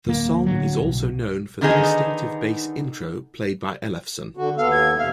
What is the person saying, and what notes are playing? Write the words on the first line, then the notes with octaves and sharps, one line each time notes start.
The song is also known for the distinctive bass intro played by Ellefson.
D1 A#3
D1 D2 F#3
B1
D3 D#3 B3 D#4 G#4
D3 F#4
D#2 B3 A4 F5
G#6
F2 C3 E5 F5